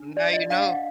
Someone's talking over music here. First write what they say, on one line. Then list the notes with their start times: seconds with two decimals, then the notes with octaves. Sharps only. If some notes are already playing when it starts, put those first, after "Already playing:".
Now you know.
Already playing: D4
0.16 G4 D5
0.33 D#5
0.50 D4 F5
0.67 F#5